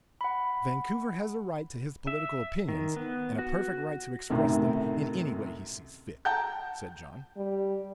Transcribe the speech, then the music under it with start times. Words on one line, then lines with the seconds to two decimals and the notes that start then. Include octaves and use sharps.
"Vancouver has a right to his political opinions, and a perfect right to express them in any way he sees fit," said John.
0.21 F#5 B5
2.07 E5
2.69 D#3
2.96 B3
3.39 F#4
4.30 B1 F#2 A2 C3 D#3 A3
6.25 F#5 G5 A5 A#5 G6
7.36 G3